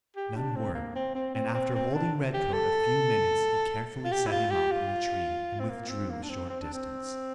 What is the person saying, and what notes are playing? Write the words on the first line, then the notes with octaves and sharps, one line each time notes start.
None were, and after holding Redcoat a few minutes he carefully set him up in a tree and withdrew a short distance.
G4
D4
C4
A#3
C4
C4
C4
C4
C4
D4
G4
A4
F4
G4
E4
F4
G4
F4
C4
A#3
C4
A#3
D4
C4
C4
D4
C4